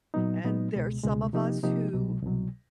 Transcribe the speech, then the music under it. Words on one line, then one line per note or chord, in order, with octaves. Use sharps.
and there are some of us who
A#2 F#3 B3 D#4
A#2 F#3 B3 D#4
C#2 B2 G#3
C#2 B2 G#3
C3 F3 A#3 D#4 G4
C3 F3 A#3 D#4 G4
C2 B2 F#3
C2 B2 F#3